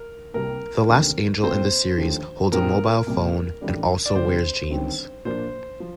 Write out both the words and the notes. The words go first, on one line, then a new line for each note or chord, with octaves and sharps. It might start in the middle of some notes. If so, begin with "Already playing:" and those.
The last angel in the series holds a mobile phone and also wears jeans.
Already playing: A#4
C2 C3 G3 A#3 A#4
F1 D#2 D3 A3
A#2 A3 C4 F4 C5
D#2 D3 F3 A3
A#1 A#2 F3 C4 G4 A#4
C2 A#2 G3 A#3
A1 A2 G3 D4
D5
G1 F2 C3 G3 C5
G1 G2 D#3 G3 C4
A#2 F3 A#3 D4 F4 C5
F3